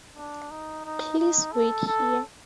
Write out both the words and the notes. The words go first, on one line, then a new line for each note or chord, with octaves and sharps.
Please wait here.
D4
D#4
D#4
D#4
A4
A4